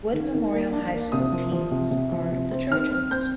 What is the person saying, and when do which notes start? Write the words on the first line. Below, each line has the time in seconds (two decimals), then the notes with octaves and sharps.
Wood Memorial High School teams are the Trojans.
0.13 D#3
0.32 D#3
0.52 A#3
0.73 D4
0.93 A#3
1.12 C3 D#6
1.33 F3
1.52 F3
1.71 C3
1.91 C3
2.12 F3
2.32 C3
2.51 C4
2.71 D#3 F6
2.91 C4
3.11 C4 G6